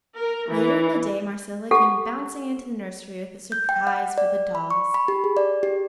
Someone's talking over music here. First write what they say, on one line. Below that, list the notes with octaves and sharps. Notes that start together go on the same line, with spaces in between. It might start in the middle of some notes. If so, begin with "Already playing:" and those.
Later in the day Marcella came bouncing into the nursery with a surprise for the dolls.
A#4
E3
G4 A4 F#5
G6
G5
F#5
D5
B5
C#6
B5
G4
G#4
D5
G4